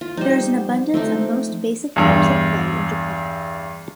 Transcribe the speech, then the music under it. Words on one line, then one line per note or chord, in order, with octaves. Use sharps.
There is an abundance of most basic types of clay in Japan.
F4
F3 G3 D#4 G4 C5
F3 A3 C4 D4 D#4
E2 G2